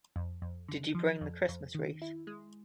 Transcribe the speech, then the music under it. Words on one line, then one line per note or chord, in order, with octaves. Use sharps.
Did you bring the Christmas wreath?
F2
F2
D3
F3
F2
F2
D#3
E4
G#3